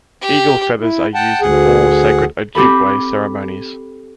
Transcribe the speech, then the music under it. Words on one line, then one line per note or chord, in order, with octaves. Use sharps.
Eagle feathers are used in all sacred Ojibwe ceremonies.
G4
E4
F#5 G5 A5
D2 G#4 F#5
C4 G4 A4 B5